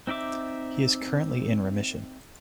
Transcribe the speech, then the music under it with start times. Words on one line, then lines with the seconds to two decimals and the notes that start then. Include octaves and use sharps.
He is currently in remission.
0.07 C4 D#4 D5 E5 D6